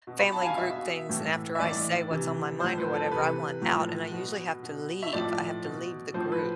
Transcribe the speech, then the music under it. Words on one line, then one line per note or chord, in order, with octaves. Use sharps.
family group things. And after I say what's on my mind or whatever, I want out, and I usually have to leave. I have to leave the group.
B2
B5
A5
F5
G#5
B2 E5
A2 E3
E5
A2 E3 D5
C3 E3
A2 F3 C5
B4
A4
C3 E3 B4
A2 F3
B2
B2
E5
A2 F3 D5
B2
A2 F3 C5
B4